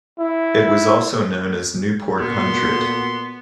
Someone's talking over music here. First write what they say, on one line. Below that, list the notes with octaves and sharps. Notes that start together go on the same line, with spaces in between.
It was also known as Newport hundred.
E4
A#2 B3 F#4 A4 C6